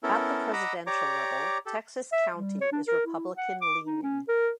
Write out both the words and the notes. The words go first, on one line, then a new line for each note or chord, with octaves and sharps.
At the presidential level, Texas County is Republican-leaning.
B3 C#4 E4 A4 A#4
D#5 F#5 A#5 B5 D6 E6
G4 C#5 D5 A#5 D6
G4 A4
E5
G3
C#5
D4
A#4
E4
F#5
D6
D#4
C#4
A#4